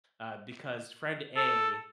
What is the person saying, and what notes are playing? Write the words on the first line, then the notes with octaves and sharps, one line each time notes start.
uh, because friend A
A4